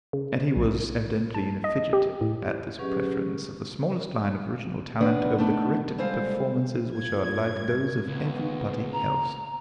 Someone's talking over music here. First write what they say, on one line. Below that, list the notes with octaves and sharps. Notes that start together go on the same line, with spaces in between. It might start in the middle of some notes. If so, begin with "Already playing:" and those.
Etty was evidently in a fidget at this preference of the smallest line of original talent over the corrected performances which are like those of every body else.
C#3
B1
C#7
A5
D#5
G4
A2
F#3 C#4 G4 G#4 B4
D#3 B3 D4
A3 B3 D4 D#4
G3 G#3 A4 C5 F5
G1 C2 A#3 F4 G#6
C#2 A#3 B3
A#5